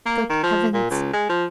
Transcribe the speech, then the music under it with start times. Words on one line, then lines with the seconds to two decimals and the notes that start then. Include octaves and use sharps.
Good Heavens!
0.06 A#3
0.30 D#3
0.43 F3
0.73 A#2
0.90 C#2
1.13 G#3
1.29 F3